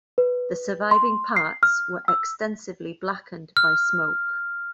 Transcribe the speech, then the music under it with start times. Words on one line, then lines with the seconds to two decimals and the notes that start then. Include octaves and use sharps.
The surviving parts were extensively blackened by smoke.
0.18 B4
0.91 C6
1.36 C7
1.63 F6
2.08 E6
3.57 F6